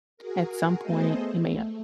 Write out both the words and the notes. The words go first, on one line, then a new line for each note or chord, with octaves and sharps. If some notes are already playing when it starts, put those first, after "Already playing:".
at some point, it may not
F#4 G#4 A#4
A3 B3 G#4 A4 C5 D#5
A3